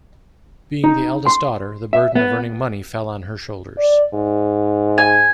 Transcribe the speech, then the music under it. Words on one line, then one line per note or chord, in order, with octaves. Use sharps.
Being the eldest daughter, the burden of earning money fell on her shoulders.
D#4
C6
E5
B3
D5
G#2
G#5